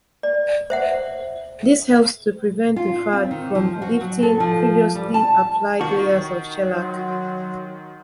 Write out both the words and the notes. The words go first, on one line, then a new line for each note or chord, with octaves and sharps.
This helps to prevent the 'fad' from lifting previously applied layers of shellac.
D5
C5 E5 F#5
F4
C4
D#3
F3
F#4
F#3
A4
F3
G3
A5
D#3 F#4
F#3 F#5 C6